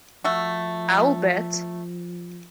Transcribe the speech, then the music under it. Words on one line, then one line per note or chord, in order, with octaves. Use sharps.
I'll bet.
F3 A3 F#4